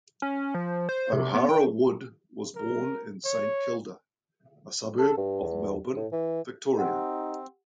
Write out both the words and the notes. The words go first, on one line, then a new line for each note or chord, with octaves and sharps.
O'Hara Wood was born in Saint Kilda, a suburb of Melbourne, Victoria.
C#4
F3
C5
C3
B3
G5
A#4
C#5
A4
G2
E2
A2
E3
C4 D#4 G4 F#5